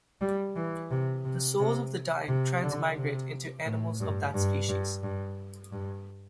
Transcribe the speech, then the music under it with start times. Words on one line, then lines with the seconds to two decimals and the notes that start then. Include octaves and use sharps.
The souls of the dying transmigrate into animals of that species.
0.21 G3
0.56 E3
0.91 C3
1.25 C3
1.59 C3
2.28 C3
2.63 D3
2.97 C3
3.65 A2
4.00 G2
4.34 G2
4.69 G2
5.03 G2
5.72 G2